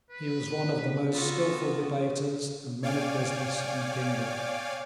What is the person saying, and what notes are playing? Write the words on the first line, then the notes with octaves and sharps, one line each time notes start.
He was one of the most skilful debaters and men of business in the kingdom.
B4
B3 F4 F#4 A4
C#5 D5 F5 G5 G#5 D6